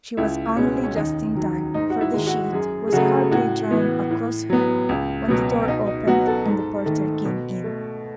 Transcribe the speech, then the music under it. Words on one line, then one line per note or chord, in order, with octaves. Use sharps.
She was only just in time, for the sheet was hardly drawn across her when the door opened and the porter came in.
C#2 E4
B2 G#3 C#4
C#4
D#2 D#4
D#3 F#3
G#2 D#4
F#4
E4
D#3 G#3
F#4
F#2 G#4
G#4
C#3 F#3 A3 F#4
A2 F#4
E3 B3
A2
F#3 B3
C#2
B2 F#3 B3
B2 D#4
D#4
F#3 B3 F#4
A4
G#2
D#3 A3
B2
A3